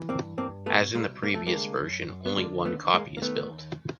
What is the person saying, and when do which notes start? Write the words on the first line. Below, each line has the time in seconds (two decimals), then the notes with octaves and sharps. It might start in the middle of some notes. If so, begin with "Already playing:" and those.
As in the previous version, only one copy is built.
Already playing: E3
0.09 G2 A#3 C4
0.37 G2 A#3 C4
0.66 B2 A3 B3
0.95 C2 G#3 A#3
1.23 C2 A#3
1.34 A3
1.47 D3 G#3 A#3
1.80 F#2
2.08 F#2
2.26 B3
2.36 D3 G#3 A#3
2.65 D#2 A3 B3
2.93 D#2 G#3 A#3
3.17 A#3
3.22 D#3 A3 B3
3.51 D#2